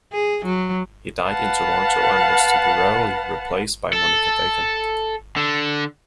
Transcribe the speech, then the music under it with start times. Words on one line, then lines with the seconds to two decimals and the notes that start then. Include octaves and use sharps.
He died in Toronto and was temporarily replaced by Monica Dacon.
0.13 G#4
0.46 F#3
1.22 B4 F5 F#5 A5
3.93 A4
5.37 D3